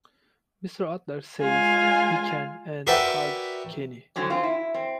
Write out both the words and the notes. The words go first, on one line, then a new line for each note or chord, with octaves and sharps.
Mr. Adler says he can and hugs Kenny.
G#3 F4 F5 G#5
F#4 A#4 B4 D5 E5 G5
A2 D3 F#3 C4 C#4
C4 F4
E4
C4